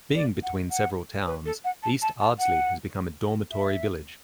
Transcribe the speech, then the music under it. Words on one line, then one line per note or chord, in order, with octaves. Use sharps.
Being between several towns, East Ardsley has become a dormitory village.
D5
F#5
F#5
B4
A4
F#5
A5
A5
A5
F#5
E5